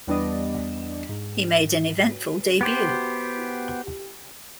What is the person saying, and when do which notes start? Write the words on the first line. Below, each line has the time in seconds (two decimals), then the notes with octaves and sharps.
He made an eventful debut.
0.07 E2 G3 B3 D4 D5 D#5
1.09 G#2
2.61 B3 G4 C5